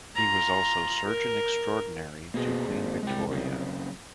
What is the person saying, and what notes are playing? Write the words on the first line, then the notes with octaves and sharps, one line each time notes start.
He was also surgeon-extraordinary to Queen Victoria.
F4 A#5
A#4
B2 A#3 C4 G#4
G#1
C2 G#3 G5
F#2 C#3 C4